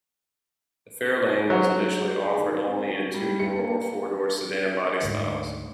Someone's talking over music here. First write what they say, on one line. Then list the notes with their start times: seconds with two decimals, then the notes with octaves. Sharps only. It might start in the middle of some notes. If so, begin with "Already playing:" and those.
The Fairlane was initially offered only in two-door or four-door sedan body styles.
1.50 F#3
2.24 G#4
2.38 D#3
2.67 C4
2.89 F#4
3.14 G3
3.40 C#7
3.57 A#3
5.01 D2 G#2